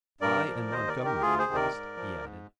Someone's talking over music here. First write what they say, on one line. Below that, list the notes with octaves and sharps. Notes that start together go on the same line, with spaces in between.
"I and Montgomery, at least," he added.
G2 A#4 D5
F3
D#2 C5 D#5
A#4 D5
D#3
G4 A#4
D2 F4 G#4
G#4 C5
C3 D#3
A#4 D5
G#2
F3
G#2